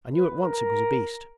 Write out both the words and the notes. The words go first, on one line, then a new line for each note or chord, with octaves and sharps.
I knew at once it was a beast.
B4
A#4